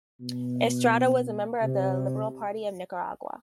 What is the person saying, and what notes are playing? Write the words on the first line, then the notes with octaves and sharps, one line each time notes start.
Estrada was a member of the Liberal Party of Nicaragua.
B2
C3